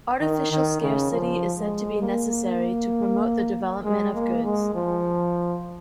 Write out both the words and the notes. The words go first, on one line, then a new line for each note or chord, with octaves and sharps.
Artificial scarcity is said to be necessary to promote the development of goods.
D#3
D#3
C#3
F3
G#3
A#3
G#3
A#3
G#3
F3